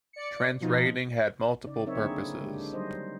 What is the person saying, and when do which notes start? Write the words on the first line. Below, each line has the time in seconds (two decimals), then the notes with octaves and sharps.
Trench raiding had multiple purposes.
0.13 D5 C#7
0.60 B2 F3 D#4
1.64 C#3 D#4 D5
1.86 F#3 C4 D#4 A#4 C#5 E5
1.98 D3 A#3 D4 E4 G#4
2.40 D3 G#3 D4 G4
2.73 F#3 G3 D#4 C5 D#5